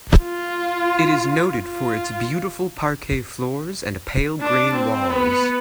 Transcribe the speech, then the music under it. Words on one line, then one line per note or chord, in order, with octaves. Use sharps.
It is noted for its beautiful parquet floors and pale green walls.
F4
F4
D4
C4
B3